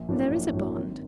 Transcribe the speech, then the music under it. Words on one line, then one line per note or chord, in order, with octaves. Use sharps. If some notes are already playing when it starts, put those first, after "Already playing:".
"There is a bond."
Already playing: A#1
A2 F#3 A#3 D4
A#1
A2 F#3 A#3 D4
G#1